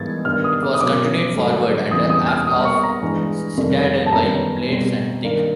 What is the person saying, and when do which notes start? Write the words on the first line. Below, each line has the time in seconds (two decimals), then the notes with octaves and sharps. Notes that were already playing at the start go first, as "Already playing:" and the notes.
It was continued forward and aft of the citadel by plates and thick.
Already playing: G#2 E3 G3 B3 G#6 A6
0.25 G2 D#3 G3 B3 F6
0.44 D#6
0.63 D6
0.74 D#6
0.81 B2 F#3 A#3 C#4 D6
1.36 G2 D3 F#3 A3
1.91 E2 C#3 E3 G3 C4 D#6
2.10 D#6
2.28 F6
2.47 A#2 G3 B3 D#6
2.65 C#6
2.84 A#5
3.02 G2 E3 G#3
3.57 F2 C3 D#3 G3
4.06 A5
4.13 F#2 D#3 G3 B3 A#5
4.68 B2 G3 C4
5.23 G2 D#3 G3 A#3